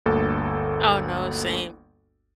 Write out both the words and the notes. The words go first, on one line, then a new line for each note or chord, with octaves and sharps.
Oh, no. Same.
G1 D2 A#3 A4